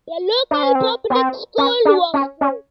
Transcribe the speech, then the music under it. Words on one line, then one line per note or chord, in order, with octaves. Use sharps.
The local public school was good.
D4
C#4
C4
B3
C4
C#4
D4
C#4
C#4